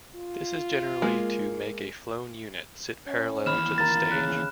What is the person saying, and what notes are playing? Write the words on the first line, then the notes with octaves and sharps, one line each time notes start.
This is generally to make a flown unit sit parallel to the stage.
F4
G#3 A#3
C#4
D#2 E3 B5 F6 E7
A#3 A#5 A6
C#3 F#6